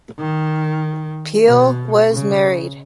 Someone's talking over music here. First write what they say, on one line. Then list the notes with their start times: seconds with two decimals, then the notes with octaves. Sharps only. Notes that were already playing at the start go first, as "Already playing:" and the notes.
Peal was married.
0.18 D#3
1.46 B2
2.10 C#3